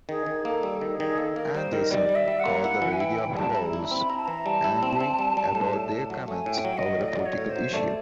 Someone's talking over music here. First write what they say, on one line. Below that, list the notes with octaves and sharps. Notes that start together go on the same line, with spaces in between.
Anderson called the radio hosts, angry about their comments over a political issue.
D#3 G#4
D#3
A#3 A4
G3
A4
D#3
G#4
D#3
A#3 A4
A#3 A#4
G3 C5
D#3 A#4
G3 D5
G3
E5
G3
F#5
A#3
E4 F#5
E3
G#5
E4 G5
E4
G3 A5
E4
A#5
E4
B5
C4
E4 A#5
A5
E3 A#5
G3 A5
E4
C4
C4
G3
G3
A2
A2
A2
F#3
A3 G#5
A2
G5
F#3
D#5
F#3
A2 D5
D#5
F#3 D5
C#5
A2
C5
F#3
A3 D5